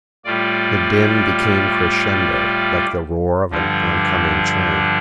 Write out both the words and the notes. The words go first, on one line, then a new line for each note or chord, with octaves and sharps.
The din became crescendo, like the roar of an oncoming train.
A2 G3 F4 D5
G2 D3 F3 D4